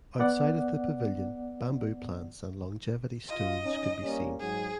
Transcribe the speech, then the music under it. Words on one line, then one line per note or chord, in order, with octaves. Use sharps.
Outside of the pavilion bamboo plants and longevity stones could be seen.
B3 D5 F#5
F4 D#5
C#4 D#4
G3 A#3 C#4
G#2 F#3 G#4